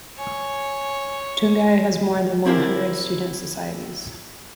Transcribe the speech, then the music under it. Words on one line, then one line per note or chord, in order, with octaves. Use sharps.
Tunghai has more than one hundred student societies.
C#5 G#5
C4 E4 G4 G#4 A#4